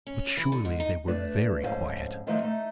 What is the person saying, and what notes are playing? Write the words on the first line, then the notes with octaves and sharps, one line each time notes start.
But surely they were very quiet!
C#4
E3
D3
G#2
D#4
A3 D4 B4 D5
F2 G#2 C#4 F4 C5 F5
D3 D#3 F3 F#3 A3
A3 D#4